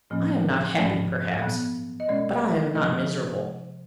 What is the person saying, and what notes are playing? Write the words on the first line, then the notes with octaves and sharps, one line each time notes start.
I am not happy, perhaps; but I am not miserable.
A2 F3 A#3 C#4
G#2 F3 A3 C#4 D5
A#2 F#3 B3
D#5
B2 G#3 C#4 D5
C3 F3 A3 D#5